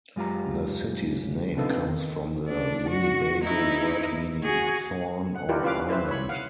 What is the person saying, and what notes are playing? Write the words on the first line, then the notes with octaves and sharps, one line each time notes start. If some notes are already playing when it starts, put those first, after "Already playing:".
The city's name comes from the Winnebago word meaning "thorn" or "island".
F#2 G#3 F4 G4 A#5
C4 D4 D#4 F4 A4 B4
D#3
D4
F#4
D#4 E4
F#4 G#4
F#5
E4 F4 G4 A#4 B4 D5
C#4 F4 B4 F5 D6
E4 B4 C5 E5
C#5 B5
F5 F#5